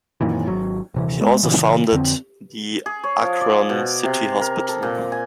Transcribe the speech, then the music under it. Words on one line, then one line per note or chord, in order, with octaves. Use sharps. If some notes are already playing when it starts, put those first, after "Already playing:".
He also founded the Akron City Hospital.
F#2 A#2 D#3 E3
G#1 F#3
D#1 C3 E3
G#3 B3
A#2 C#3 E3
F2 D3 C4
G#4
C#5
F3
D5
B2
C3
A#4
A4
A#2
G#5